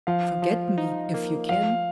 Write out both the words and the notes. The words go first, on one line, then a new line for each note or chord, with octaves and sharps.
Forget me if you can!
F3 F5
F3
D#4
A#3
F3 F5